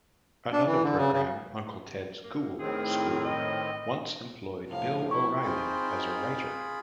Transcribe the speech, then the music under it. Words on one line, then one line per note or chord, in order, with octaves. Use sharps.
Another program, "Uncle Ted's Ghoul School", once employed Bill O'Reilly as a writer.
D4
E3
D3
C#3
C#3
A#3
A2 D#3 C4 G#4
D#5
A2 C3 F3 F5
E4 C#6
C4 D#4 F4 G#4 B5